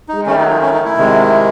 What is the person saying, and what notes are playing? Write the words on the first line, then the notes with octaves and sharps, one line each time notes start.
Yeah. Yeah.
D#4
D#3 A3 C#4
D#4
D#4
C#4
D#4
E4
C3 D#3 G#3